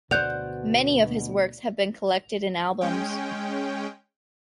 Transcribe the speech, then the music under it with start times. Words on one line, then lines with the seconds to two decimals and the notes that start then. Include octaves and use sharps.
Many of his works have been collected in albums.
0.11 D2 B2 C5 D5 F#5 G6 F7
2.81 G#3 C#4 G5